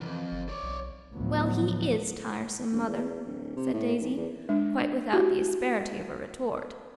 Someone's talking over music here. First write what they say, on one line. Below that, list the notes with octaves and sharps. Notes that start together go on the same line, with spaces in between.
"Well, he IS tiresome, Mother," said Daisy, quite without the asperity of a retort.
C2 F2 E3
G1
C#5 D5
B1
D2 A2 F3 F#3 B3
E1
E2
D1
C3
A2
B1
E2
G#3 D4
E4 F#4 G4